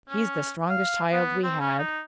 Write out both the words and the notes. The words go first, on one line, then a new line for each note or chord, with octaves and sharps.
He's the strongest child we had.
C#4
F5
B3
C4
C#4
D#4